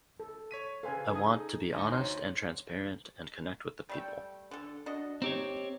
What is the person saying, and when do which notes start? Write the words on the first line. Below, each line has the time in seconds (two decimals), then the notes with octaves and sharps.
I want to be honest and transparent and connect with the people.
0.20 A4
0.51 C#5 B6 D#7
0.83 C#3 A4 B4 C5 F5 G#5
1.13 D#4 G#4 A4 D#6 G#6
1.73 D2 D#4 C6 C#6
1.92 C5 C#5 C6
3.89 G3 A3 G5
4.51 D3 A4
4.86 D4 F#4 D#5
5.22 C4 D#4 G4 C#5